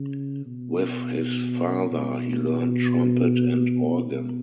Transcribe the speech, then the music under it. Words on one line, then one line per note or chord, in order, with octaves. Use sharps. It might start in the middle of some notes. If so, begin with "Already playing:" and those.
With his father he learned trumpet and organ.
Already playing: C#3
B2
B2
B2